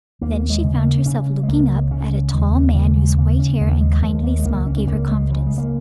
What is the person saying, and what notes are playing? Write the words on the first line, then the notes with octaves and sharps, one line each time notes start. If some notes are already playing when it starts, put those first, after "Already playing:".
Then she found herself looking up at a tall man whose white hair and kindly smile gave her confidence.
D#2 A#3
G#3
C#3
A#3
C#3 C#4
G#3
C#2 A#3
C#3 C#4
D#2 G#3
A#3
C#4
C#3 A#3
G#3
C#3 A#3
C#4
D#2 A#3
G#3
D#2 F3
A#3
G#3
C#2 A#3
C#4
C#4
C#2 A#3
G#3
C#3 F3
G#3
A#3